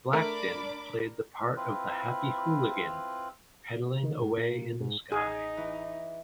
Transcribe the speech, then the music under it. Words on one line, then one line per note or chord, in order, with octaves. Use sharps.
Blackton played the part of the "Happy Hooligan" pedalling away in the sky.
A3 D4 A#4 B5 D6
C4 E4 F4 B4
D#3
G#2
A#2
G#2
A1 D#4 G#4
E3